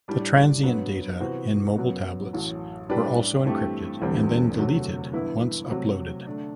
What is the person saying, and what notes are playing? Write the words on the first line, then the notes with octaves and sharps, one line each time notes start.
The transient data in mobile tablets were also encrypted and then deleted once uploaded.
A2 G3 D4
G2 F#3 B3
C3 E3 B3 F#4 C5
F#2 F#3 B3
A1 A2 F#3
A2 G3 D4 G4 B4
G2 E3 A3 C4 G4
E1 E2 D3 G3 C4
D2 C3 F#3 A3
G2 E3 B3 E4 B4
C3 F#3 A3 C4
D3 A3 D4